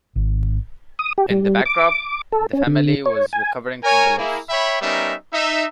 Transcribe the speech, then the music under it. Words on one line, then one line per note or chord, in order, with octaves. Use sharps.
In the backdrop, the family was recovering from the loss.
G#1
D#6
G4
G3
D6
A4
C#4
D3
C#5
G#5
A#4 C#5 G#5
A#3 E4 G#4
C#5 E5 G5 B5
G3 B3 C#4 D#4 A#4 E5
D#4 E5